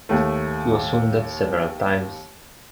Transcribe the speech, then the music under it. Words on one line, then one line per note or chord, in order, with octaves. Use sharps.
He was wounded several times.
D#2 A3